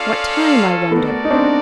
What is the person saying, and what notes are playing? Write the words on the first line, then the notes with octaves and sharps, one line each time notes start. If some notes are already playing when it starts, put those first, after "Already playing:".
What time, I wonder.
Already playing: C#4 F4 A4 D5 F5
A3 B3 F#4 A#4 D5
D#4
C4 D4